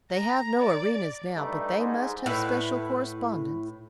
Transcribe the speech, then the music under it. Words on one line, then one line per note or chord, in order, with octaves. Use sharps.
They have no arenas now, but they must have special correspondents.
A#5
D5
G2 G3 A3 D#4
G#2
A2 E4 B4 F#5